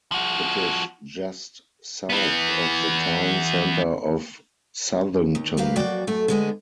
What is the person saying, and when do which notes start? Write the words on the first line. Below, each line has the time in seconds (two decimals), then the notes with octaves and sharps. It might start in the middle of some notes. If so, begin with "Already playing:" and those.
It is just south of the town center of Southington.
0.12 F3 F#4
2.10 E3 B3
5.35 D#2
5.57 G3 G4 A#4 B4 F5
5.76 F2 F#3 A#3 F#4 D5 G5
6.07 F#2 A3 A4
6.28 D3 G#3 B3